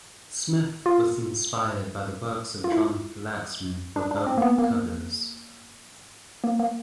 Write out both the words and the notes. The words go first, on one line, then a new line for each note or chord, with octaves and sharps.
Smith was inspired by the works of John Flaxman for both covers.
F4
F4
E4
D4
D4
C4
A#3
B3
A#3
A#3
A#3